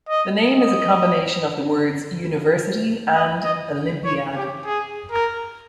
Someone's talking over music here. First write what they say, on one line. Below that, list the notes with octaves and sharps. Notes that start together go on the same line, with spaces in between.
The name is a combination of the words "University" and "olympiad".
D#5
D#5
D#5
D#5
C#5
G4
G#4
A#4